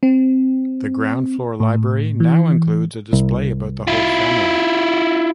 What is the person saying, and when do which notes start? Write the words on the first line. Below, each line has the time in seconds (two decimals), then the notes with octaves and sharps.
The ground floor library now includes a display about the Holt family.
0.03 C4
1.60 A2
2.20 E3
3.13 C2
3.87 E4 F4